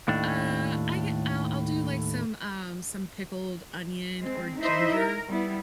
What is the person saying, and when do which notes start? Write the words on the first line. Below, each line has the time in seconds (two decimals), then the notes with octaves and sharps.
uh, I get I'll I'll do like some, um, some pickled onion or ginger.
0.08 D#2 A2 D4
4.18 G#3 C4
4.61 D#4 E4 C5 D#5 E5
4.93 A#4
5.28 G3 B3 E4